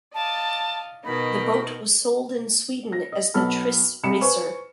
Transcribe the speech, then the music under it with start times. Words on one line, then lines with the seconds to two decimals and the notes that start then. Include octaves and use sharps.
The boat was sold in Sweden as the Triss Racer.
0.14 D5 D#5 F5 A5
1.05 B2 D#3 D#5 B5
2.92 A#6
3.12 D#5
3.34 B1 B3 A4 B5 F6
4.03 C2 B5 C#7 E7
4.21 B4 C5 G#5 C#6